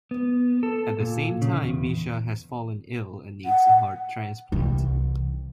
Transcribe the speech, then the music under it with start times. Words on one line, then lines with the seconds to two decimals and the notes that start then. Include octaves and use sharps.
At the same time, Misha has fallen ill and needs a heart transplant.
0.11 B3
0.63 A4
1.00 A#2
1.42 C#3
1.62 E2
3.45 F#5
4.52 C2 E3